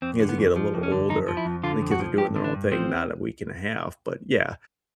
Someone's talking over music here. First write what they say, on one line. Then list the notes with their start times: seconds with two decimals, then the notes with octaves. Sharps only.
As you get a little older, and the kids are doing their own thing, not a week and a half, but, yeah.
0.02 F2 C4
0.20 D3
0.29 B3
0.38 F2
0.56 F3
0.74 F2
0.83 C#4
0.92 D3
1.09 F2 D#4
1.28 F3
1.37 E4
1.45 F2
1.64 D3 F4
1.82 F2
1.91 F#4
2.00 F3
2.17 G2 G4
2.36 D3
2.44 D4
2.54 G2
2.72 F3 C4